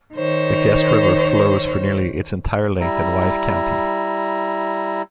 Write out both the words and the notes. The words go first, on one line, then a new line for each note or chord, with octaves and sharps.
The Guest River flows for nearly its entire length in Wise County.
D#3 C5 C#5
G3 E4 A#5